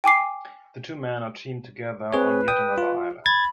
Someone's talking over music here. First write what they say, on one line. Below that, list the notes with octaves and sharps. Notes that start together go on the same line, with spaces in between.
The two men are teamed together on yet another island.
G5 G#5 D6 C7
C4 G#4 B4 C#5
G5 D#6
F4
B5 G#6 A6